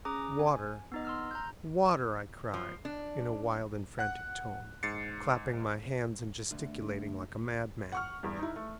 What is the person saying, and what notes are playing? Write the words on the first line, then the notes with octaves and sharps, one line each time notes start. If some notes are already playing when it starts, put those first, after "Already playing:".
"Water, water!" I cried, in a wild and frantic tone, clapping my hands, and gesticulating like a madman.
C#4 G#4 A#5 D6 D#6
G#5
B3 D#4 D#5
C6 E6 F6
A#5 G6
F3
D4
F#5 F#6
G#2 A6 C7 C#7
D2
F#5 C#6 F6
E2 G2
D#4 E4
A3